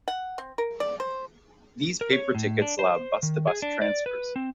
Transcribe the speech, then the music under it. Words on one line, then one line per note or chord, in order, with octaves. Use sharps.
These paper tickets allowed bus to bus transfers.
F#5
C4
A#4
D5
C5
A#4
C#5
A2
D4
C5
D#3
G#4
D4
D5
B4
C4